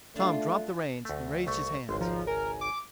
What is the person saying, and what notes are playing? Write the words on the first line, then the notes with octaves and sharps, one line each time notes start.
Tom dropped the reins and raised his hands.
A3 D4 F4
D2 A3
C2 A3 C#6
G#1 C#2 C6
F3 A#5
A#4 G#5
D6